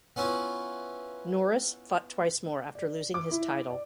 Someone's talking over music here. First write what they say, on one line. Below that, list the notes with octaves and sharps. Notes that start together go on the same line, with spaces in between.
Norris fought twice more after losing his title.
B3 C#4 E4 F4
D5
D6
E4
D5